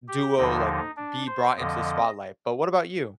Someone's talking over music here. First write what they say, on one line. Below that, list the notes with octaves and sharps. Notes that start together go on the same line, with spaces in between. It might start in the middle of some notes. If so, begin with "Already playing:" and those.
duo, like, be brought into the spotlight. But what about you?
G4
D#2 D3 F3 D#4
D4
C5
F2 D3 F3 D#5